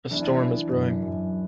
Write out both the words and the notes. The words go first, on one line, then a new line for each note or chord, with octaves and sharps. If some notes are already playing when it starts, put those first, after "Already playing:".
A storm is brewing.
E3 D4 E4
E3
F#2
F#2